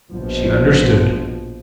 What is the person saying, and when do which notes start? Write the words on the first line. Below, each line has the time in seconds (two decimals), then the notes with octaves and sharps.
She understood!
0.10 A#1 B2 F3